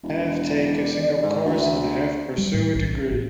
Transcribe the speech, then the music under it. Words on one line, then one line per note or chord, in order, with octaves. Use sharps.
Half take a single course, and half pursue a degree.
E1
D5
G#2
D2
E5
G3
A2
B1
A1